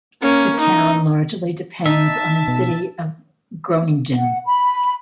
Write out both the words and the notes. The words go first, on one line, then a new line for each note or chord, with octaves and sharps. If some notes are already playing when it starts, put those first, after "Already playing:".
The town largely depends on the city of Groningen.
A#3 C#4
D#4
D#4 E5 A5
B2
F#5
B5